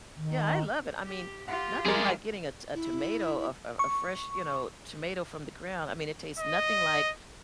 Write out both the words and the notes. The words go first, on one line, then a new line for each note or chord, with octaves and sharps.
Yeah, I love it, I mean, nothing like getting a to a tomato, a f a a fresh, you know, tomato from the ground, I mean, it tastes nothing like,
D#3
G4
F4 G4 F#5
G3 G#3 G#4 A#4 D5
E4
C#6
D#5